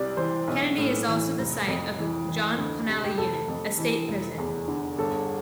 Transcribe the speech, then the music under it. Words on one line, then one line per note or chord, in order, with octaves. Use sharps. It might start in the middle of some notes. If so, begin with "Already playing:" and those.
Kenedy is also the site of the John Connally Unit, a state prison.
Already playing: C2 C3 D5
E3 C5
B1
A2
E3
F1
F2
E3
E3
D2
C3
G4
F1 A4
F2
E3
F1
E2
D3
G1 A4